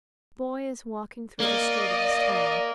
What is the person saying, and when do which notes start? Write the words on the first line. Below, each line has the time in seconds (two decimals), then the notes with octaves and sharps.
The boy is walking through the street of his town.
1.40 A#3 D5 D#5